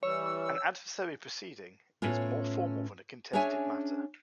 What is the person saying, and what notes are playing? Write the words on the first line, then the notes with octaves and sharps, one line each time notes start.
An adversary proceeding is more formal than a contested matter.
E3 G3 C#5 E6
A2 B3 C#4 F4
C#4 D4 G#4 C#5 E5 G#5